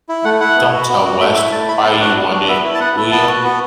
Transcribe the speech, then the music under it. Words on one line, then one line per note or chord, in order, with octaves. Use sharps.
Don't tell West why you want it, will you?
E4
A3 F#5
E4 F#5
B3
F#4
B3
F#4
A3 E5
E4 E5
A3 A5
E4 B5
B3 A5
D4 F#4 F#5
B3
D4 F#4
B3 E5
E4
A5
B3 F#5
E4
B3 A5
F#4
B3